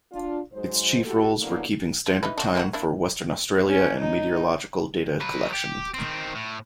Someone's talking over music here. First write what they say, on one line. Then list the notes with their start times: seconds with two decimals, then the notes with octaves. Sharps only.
Its chief roles were keeping Standard Time for Western Australia and meteorological data collection.
0.12 D4 F4
0.53 G#2 F#3 G#3 C5
1.05 E4 F#4 G4 A4
1.41 A2 D3 F#3 A#3 B3 E4
2.06 F3
2.23 E3 D#4 B4
2.38 D4 F4 F#4
2.55 A#3 E4 F#4
2.73 A#3 D4 E4
3.69 C#4
3.99 D#4
5.21 F#3 B4
5.53 G4
5.94 D#3 C4
6.35 A2